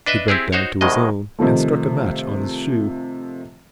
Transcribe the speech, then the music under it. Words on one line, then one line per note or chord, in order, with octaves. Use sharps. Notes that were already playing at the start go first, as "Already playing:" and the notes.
He bent down to his own, and struck a match on his shoe.
D4 B4 D#5 E5
C4 E4 G4 G#4
D#4 F#4 C5 C#5
C2 B2 D#3 G#3 D#5
C3 D#3 F3 A3